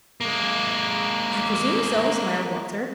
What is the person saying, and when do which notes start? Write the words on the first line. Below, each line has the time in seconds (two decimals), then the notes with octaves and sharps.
"I presume so," smiled Walter.
0.21 G#3 A#3